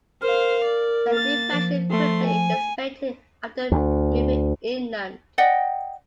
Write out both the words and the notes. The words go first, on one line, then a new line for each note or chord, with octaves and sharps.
The depression quickly dissipated after moving inland.
A#4 C5 F5
D5
A#3 A6
F3
A3 C6
G#5
D2
D5 D#5 F#5 G5